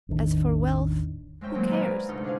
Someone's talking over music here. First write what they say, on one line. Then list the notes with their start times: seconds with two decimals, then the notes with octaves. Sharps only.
As for wealth, who cares?
0.09 A1 E2 D#3 D4
1.41 G#3 C4 C#4 E5 G5
1.54 A#2 D#3 F#3 G#3 A#3 C4
1.71 B4 D5 F5 G#5 A#5 B5
1.89 C4
2.09 D2 G#2 C3 D#4 A4 F6
2.24 D4 E4 G#4 F5